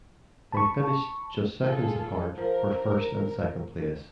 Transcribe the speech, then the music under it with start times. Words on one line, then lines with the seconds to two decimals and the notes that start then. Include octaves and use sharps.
They finished just seconds apart for first and second place.
0.52 A5 B5 C#6
1.65 F4 G#4 A4
2.38 F3 A#4